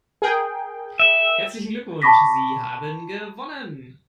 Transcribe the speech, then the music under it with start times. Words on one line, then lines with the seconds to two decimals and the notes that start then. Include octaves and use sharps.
Herzlichen Glückwunsch, Sie haben gewonnen!
0.22 G#4 A#4 G5
0.99 E5
2.02 A5 B5 C#6 D6 A#6 B6